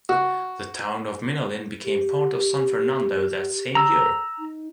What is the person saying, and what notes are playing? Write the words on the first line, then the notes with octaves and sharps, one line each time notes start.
The town of Minalin became part of San Fernando that same year.
F#4
G4
A#5 E6
D#4